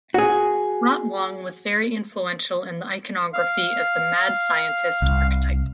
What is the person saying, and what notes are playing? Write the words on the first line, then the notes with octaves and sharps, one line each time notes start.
Rotwang was very influential in the iconography of the mad scientist archetype.
F#4 G#4
F5
C2